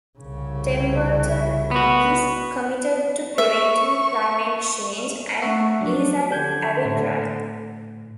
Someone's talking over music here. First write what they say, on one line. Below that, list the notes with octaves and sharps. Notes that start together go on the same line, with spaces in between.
Templeton is committed to preventing climate change, and is an avid runner.
C2 C#3
B3 F#4
E5 C#6
A3 E5 F#5 C#6
F3 F#3 D4
D3 G4 G6 G#6
A2